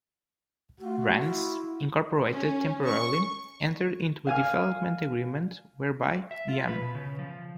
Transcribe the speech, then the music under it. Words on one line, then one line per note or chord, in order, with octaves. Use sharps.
Brands, Incorporated temporarily entered into a development agreement whereby Yum!
A3 F4 F#4
E4
C#4
C#6
F5 G#5 F6
E5
F4
B4
B2
C#3
F3